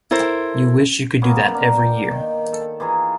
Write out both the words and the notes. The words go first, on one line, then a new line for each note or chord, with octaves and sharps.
You wish you could do that every year.
E4 A4 A#4 C5
A#3 B3 C#4
D4 A#4
G5
D#3
A4
E3 F4 G#4 A#5